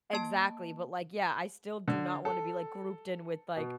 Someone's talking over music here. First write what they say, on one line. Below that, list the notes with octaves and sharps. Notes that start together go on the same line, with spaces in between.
Exactly, but, like, yeah, I still do not wanna be like grouped in with like,
A#3 A5
D3
A4
B2